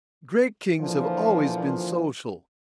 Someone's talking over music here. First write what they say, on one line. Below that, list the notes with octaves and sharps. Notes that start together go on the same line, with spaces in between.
Great Kings have always been social.
A#2 D3 E3 F3